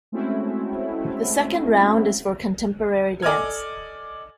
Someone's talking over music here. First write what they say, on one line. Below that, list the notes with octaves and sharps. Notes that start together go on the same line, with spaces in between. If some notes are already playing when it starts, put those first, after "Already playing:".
The second round is for contemporary dance.
G#3 A3 C4 C#4 E4 F#4
A4 D5 D#5 G#5 F6 G#6